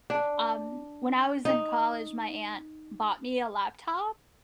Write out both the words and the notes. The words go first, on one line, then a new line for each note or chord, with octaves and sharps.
Um, when I was in college, my aunt bought me a laptop,
D4
D#4